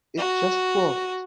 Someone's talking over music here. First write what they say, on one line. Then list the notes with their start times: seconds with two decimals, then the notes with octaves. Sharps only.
It just worked.
0.18 F#4